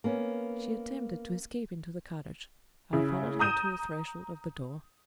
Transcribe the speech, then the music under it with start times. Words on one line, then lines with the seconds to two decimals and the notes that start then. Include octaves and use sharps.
She attempted to escape into the cottage; I followed her to the threshold of the door.
0.04 A#3 B3 C#4
2.93 C#3 E4
3.39 A#5 D#6 G6 D#7 E7